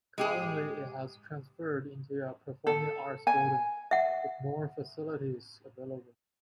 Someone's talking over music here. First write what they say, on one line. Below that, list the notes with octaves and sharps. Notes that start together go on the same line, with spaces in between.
Currently it has transferred into a Performing Arts building, with more facilities available.
G#3 G4 G#4
A4
G#5
E5 F#5